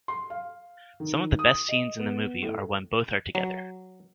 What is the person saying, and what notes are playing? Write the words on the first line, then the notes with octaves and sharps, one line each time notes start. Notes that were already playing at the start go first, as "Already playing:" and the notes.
Some of the best scenes in the movie are when both are together.
C6
F5
D#3
D#6
D#5
B3
A2
F#3